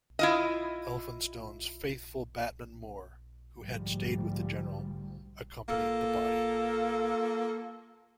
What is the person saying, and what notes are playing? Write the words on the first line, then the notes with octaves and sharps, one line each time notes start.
Elphinstone's "faithful" batman Moore who had stayed with the General accompanied the body.
E4 F4 D#5
D2 G#2 F3 G3
A#3 F4 A4